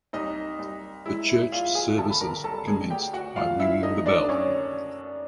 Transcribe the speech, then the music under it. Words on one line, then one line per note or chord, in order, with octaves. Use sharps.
The church services commenced by ringing the bell.
C2 D#4 D#5
C2
G#3 E4 E5
E4 E5
E2 F4 F5
G#4 G#5
C2 A4 A5
B5
A#4 A#5
C2 A4 A5
G#4 G#5
D2 G4 G5
F#4 F#5
D2 F4 F5
E4 E5
A3 D#4 D#5
D4 D5
F#2 C#4 C#5